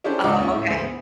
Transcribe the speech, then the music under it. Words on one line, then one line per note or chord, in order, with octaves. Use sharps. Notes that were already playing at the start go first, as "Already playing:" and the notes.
Oh, okay.
C#4 D4 E4 G4 A4 C5
C#2 G#3 D4 F4 F#4 D6
D#2 C#4 F4
A2 E5
D2 C5
B3